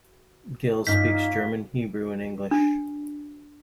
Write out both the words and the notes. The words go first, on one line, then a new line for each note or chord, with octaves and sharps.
Gil speaks German, Hebrew, and English.
G2 A#2 A#3 C#4 D#4 G6 B6
D4